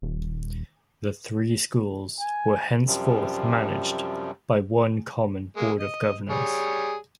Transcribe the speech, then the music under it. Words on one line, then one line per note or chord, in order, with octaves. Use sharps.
The three schools were henceforth managed by one common Board of Governors.
D#1
G#5
F#2 C3 F3 G3
G#3 A#3
D#5
G3 G#4 C#5